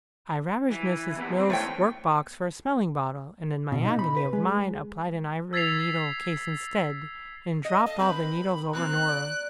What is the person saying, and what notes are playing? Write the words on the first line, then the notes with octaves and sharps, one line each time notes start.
I ravaged Miss Mills's work-box for a smelling-bottle, and in my agony of mind applied an ivory needle-case instead, and dropped all the needles over Dora.
E3
D#2 B3
C4
E3 A3 B3 C#5 G5
B2
D#4
B5
B4
G#3
E6 G#6 A6 B6 C7 F7
D#5
A4 D#5 F5
C4 B4 B5
F#3 A#3 C4 F#6
D5